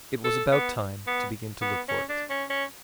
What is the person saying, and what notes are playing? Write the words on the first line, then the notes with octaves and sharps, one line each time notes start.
It was about time to begin to look for it.
A4
B3
B3
B3
C#4
D4
C#4
C#4